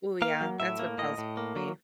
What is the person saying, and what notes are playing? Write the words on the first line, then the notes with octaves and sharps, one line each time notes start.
Ooh yeah, that's what tells me.
A#3 F5
F#3
A2 E5
A#3
A2 D#5
A2
A#3
F#3